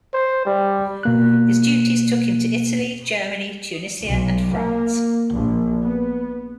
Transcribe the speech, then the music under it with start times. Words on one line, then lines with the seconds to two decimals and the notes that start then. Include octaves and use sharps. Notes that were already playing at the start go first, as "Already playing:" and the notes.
His duties took him to Italy, Germany, Tunisia and France.
0.13 C5
0.45 G3
1.03 B2 A#3 F#6
4.03 B1
4.51 A#3
5.32 A#1
5.84 B3